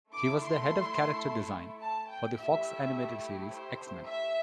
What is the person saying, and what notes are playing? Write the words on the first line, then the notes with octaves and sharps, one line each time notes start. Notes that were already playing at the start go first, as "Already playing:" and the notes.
He was the head of character design for the Fox animated series "X-Men".
A3 E4 A4 D6
C6
A5
G5
A3 E4 G4 E5
C5
E5